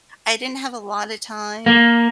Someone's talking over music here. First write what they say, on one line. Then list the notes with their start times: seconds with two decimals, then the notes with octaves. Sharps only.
I didn't have a lotta time
1.66 A#3